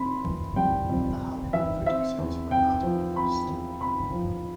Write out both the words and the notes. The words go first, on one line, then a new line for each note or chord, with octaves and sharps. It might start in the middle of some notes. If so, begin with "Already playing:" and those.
The Hollywood producers were not amused.
Already playing: F2 C3 B5 C6
E3
G3 G5
F2
C3
E3 E5
C4 E5
E2
C3 G5
F3
C4 B5
E2
C3 B5
F3